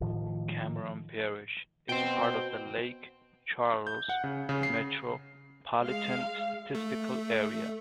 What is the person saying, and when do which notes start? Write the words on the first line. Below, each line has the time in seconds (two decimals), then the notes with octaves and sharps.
Cameron Parish is part of the Lake Charles, Metropolitan Statistical Area.
0.01 A2 D#3 F3
1.89 B2 C5 G5
3.87 G6
4.09 F#5
4.24 C#3
4.49 C#3
4.63 C7
5.82 G#3 F5
6.75 A3